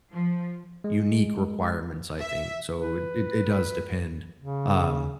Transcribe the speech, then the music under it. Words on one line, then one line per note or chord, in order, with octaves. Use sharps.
unique requirements, I think. So, it it it does depend, um
F3
G#3
E5
B4
C#3